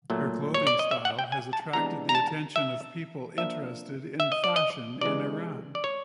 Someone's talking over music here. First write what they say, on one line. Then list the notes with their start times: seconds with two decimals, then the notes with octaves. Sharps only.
Her clothing style has attracted the attention of people interested in fashion in Iran.
0.10 A#2 F#3 A3
0.54 C#5
0.67 D5
0.79 D#5
0.91 E5
1.05 F#5
1.19 G5
1.32 G#5
1.53 A5
1.73 C3 E3 G#3 B3 D4 A#5
2.09 A#5
2.15 A5
2.56 E5
3.38 F3 A#3 D4 E5
4.20 E5
4.32 D#5
4.44 D5
4.56 D#5
5.01 C3 E3 G#3 D5
5.75 D5
5.84 C#5